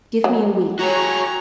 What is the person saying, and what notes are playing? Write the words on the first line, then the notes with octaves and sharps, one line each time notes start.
Give me a week.'
F#3
F#4 G#4 C#5 A#5